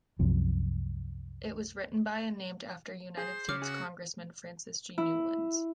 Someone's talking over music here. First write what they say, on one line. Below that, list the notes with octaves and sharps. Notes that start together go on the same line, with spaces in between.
It was written by and named after United States Congressman Francis G. Newlands.
C2 F#2 C3 F3
G#4 C5
C#3 D6 F6
F#4 G#4
E4